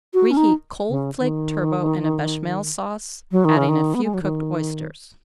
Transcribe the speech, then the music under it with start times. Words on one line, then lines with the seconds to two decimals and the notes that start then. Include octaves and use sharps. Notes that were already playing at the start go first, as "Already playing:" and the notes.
Reheat cold flaked turbot in a Bechamel Sauce, adding a few cooked oysters.
0.14 F#4
0.31 C#4
0.37 D#4
0.89 C#3
1.19 D#3
3.32 F#3
3.45 D#3
3.57 C#3
3.69 D#3
3.94 B3
4.04 G#3
4.14 F#3
4.22 D#3